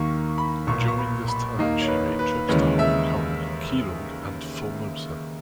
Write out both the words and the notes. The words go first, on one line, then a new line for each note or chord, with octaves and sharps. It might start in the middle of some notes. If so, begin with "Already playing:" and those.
During this time, she made trips to Hong Kong, Keelung and Formosa.
Already playing: D#2 D#3 A#3 C#6
B5
B1 A#2 A#3 C#6
C#6
B5
B5
D#2 D#3 A#3 D#5
C#5
B4
B4
D#2 C#3 E3 G#3 C#5
E5